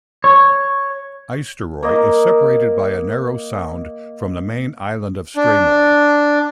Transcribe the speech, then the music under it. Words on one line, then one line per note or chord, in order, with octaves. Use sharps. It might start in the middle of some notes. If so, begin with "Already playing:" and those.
Eysturoy is separated by a narrow sound from the main island of Streymoy.
C#5
A#3 A#4 D#5
D4